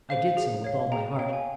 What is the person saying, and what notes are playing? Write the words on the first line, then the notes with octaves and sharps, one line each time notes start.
I did so with all my heart.
C5 F5
G#4
C#5 F5
G#4 G5 A#5
C#5 F5 G5
G#5